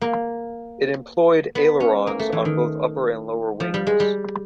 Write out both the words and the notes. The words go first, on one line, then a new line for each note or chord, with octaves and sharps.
It employed ailerons on both upper and lower wings.
A#3
B3
C#4
A#3
A3
E3
D#3
F3
G3
G#3
G3